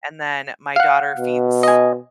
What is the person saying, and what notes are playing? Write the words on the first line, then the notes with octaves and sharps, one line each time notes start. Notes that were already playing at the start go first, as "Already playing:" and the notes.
and then my daughter feeds
F5 F#5
B2
D#5 G#5